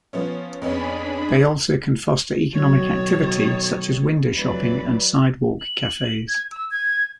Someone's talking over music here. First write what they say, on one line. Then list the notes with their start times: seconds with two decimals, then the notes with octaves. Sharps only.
They also can foster economic activity, such as window shopping and sidewalk cafes.
0.13 F3 B3 C#4
0.62 F2 B3 C#4 D4 G#4 B5
2.54 B2 D#3 F#3 A4 C#5
4.35 F1 E3 F#3 B4 D5
5.60 F#7
6.28 G#6
6.51 E6
6.71 G#6